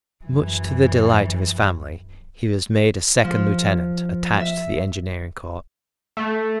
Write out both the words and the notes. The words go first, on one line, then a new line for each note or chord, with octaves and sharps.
Much to the delight of his family, he was made a second lieutenant, attached to the Engineering Corps.
F#2 E3
F3
E5
A3